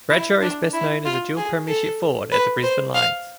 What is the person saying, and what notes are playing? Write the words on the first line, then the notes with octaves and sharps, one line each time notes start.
Bradshaw is best known as a dual premiership forward at the Brisbane Lions.
E4
D4
E4
F4
G#4
A4
B4
C5
F5